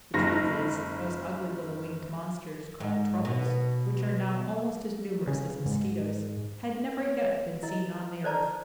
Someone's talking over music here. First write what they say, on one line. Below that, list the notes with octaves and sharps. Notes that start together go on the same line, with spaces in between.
The truth is, those ugly little winged monsters, called Troubles, which are now almost as numerous as mosquitoes, had never yet been seen on the earth.
F#1 G#2 A#6
G#2
B2
C#3
G#2
C#5
E4 D#5
C5 D5 A5 A#5